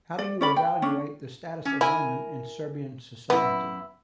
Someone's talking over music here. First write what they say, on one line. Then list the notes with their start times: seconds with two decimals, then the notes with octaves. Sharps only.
How do you evaluate the status of women in Serbian society?
0.19 D5
0.41 C#4 D5 B5
0.56 G5
0.82 C#4 D4
1.65 C#4
1.81 E4 A#4 G#5
3.30 F#2 B3 E4